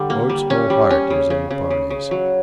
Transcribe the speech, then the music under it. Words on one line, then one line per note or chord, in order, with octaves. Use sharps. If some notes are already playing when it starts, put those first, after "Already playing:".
Oates' whole heart is in the ponies.
Already playing: D3 G3
A#3
G3
C#4
G3
C#4
C#3
C#3
C#3
C#3
C#3
F#3